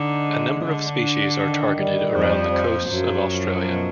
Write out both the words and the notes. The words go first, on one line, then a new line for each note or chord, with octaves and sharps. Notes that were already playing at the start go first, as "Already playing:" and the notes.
A number of species are targeted around the coasts of Australia.
Already playing: D3 D#4
G#3
D3 D4
D4
D#3
G3
F2 F3 C5
C5
F#2 F3 F#3
F3
B2